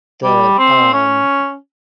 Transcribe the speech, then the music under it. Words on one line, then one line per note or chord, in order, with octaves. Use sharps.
the, um
G3
C4
C#4